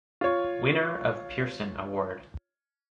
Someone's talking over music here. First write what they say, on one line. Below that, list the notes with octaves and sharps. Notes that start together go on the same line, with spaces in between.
Winner of Pearson award.
F4 C#5